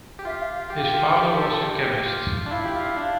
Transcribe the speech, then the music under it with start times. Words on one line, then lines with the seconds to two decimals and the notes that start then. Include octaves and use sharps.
His father was a chemist.
0.19 G4
0.25 F4 E5
0.40 F5
0.55 F5
0.70 G4 G5
0.93 F4
1.16 G4
1.39 A4
1.61 G4
2.06 F4
2.46 D4
2.51 E4 F5
2.65 G4
2.74 F4 F5
2.86 E4
2.97 D4